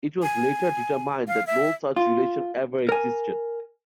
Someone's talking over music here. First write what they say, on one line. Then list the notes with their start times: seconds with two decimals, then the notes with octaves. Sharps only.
It was later determined that no such relation ever existed.
0.22 G#5
1.28 F5
1.47 E5
1.96 F4
2.89 A#4 G#5